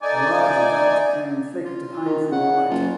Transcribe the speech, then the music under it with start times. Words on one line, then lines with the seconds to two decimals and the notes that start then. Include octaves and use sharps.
A large adult can inflict a painful bite.
0.02 A3 D#4 D5 G#5
1.65 F4
2.06 D#3
2.32 C#3 F#5
2.70 F#1 F4